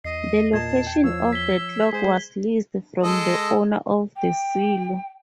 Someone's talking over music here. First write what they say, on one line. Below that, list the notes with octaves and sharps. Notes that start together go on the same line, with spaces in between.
The location of the clock was leased from the owner of the silo.
E2 D#5 C7
A#2 D#5 A5 G#6
G5
F3 C#5 E6
B6 G7
G#3 G#4 C5
G#3 A4 D#5
G5